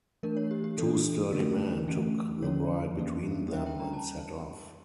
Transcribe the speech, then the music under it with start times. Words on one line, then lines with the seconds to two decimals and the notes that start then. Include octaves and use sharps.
Two sturdy men took the bride between them and set off.
0.23 E3 A3 D4 A#4
0.37 C#5
0.51 G4
0.64 G4
0.78 E3 A#3 D4 A4
1.32 D3 A3 C#4 A#4
1.88 E3 A3 C#4
2.42 D3 F3 C#4 C#5
2.98 E3 A#3 C#4
3.53 G3 C#4 E5
3.66 G5
3.80 A#5
3.93 A5